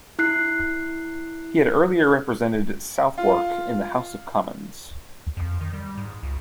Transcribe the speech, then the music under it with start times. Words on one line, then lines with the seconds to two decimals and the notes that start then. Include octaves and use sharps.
He had earlier represented Southwark in the House of Commons.
0.19 E4 F#6 C7
3.18 F4
5.37 F2
5.61 D#3
5.73 G3
5.97 G#2
6.23 C#2